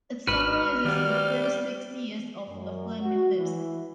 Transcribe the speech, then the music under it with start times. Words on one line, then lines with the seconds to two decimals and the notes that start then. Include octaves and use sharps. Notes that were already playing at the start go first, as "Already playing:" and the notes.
It summarizes the first six years of The Flaming Lips.
0.27 G#1 G#2 D#4 F#4 B4 F6
0.85 D#3 G3 A#3 B3
2.49 F#2
3.01 F#4
3.38 E3